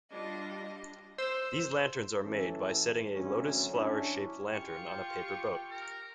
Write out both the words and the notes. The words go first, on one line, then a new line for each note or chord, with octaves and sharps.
These lanterns are made by setting a lotus flower-shaped lantern on a paper boat.
G3 D4 F4 D#5
C5 E6
A1 E3 C#4 A4
G#1 D2 F#3 C#4
F#2 C#4 D4 E4
F4 G4 G5 C#6
A#4